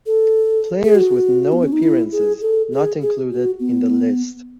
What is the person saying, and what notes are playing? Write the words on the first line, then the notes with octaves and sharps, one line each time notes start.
Players with no appearances not included in the list.
A4
G#4
F#4
B3
C#4
D#4
E4
G#4
A4
G#4
G#4
F#4
B3